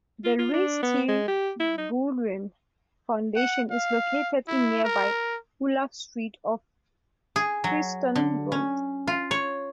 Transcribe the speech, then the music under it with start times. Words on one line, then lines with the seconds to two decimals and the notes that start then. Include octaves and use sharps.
The Louise T Blouin Foundation is located in nearby Olaf Street, off Freston Road.
0.24 F4
0.39 F4
0.53 D4
0.83 B3
1.08 G#3
1.28 G4
1.60 E4
1.78 D#4
3.36 F#5
3.71 F5
4.48 E4
4.84 A#4
7.36 G#4
7.64 F#3
8.16 D3
8.52 C#4
9.07 F4
9.31 C#5